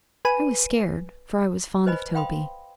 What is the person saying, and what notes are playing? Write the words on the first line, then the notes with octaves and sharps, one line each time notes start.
I was scared, for I was fond of Toby.
B4 G#5 B5 D#7
B4 C5 D#5 G#5 B5
F5 G5 B5 C6 D#6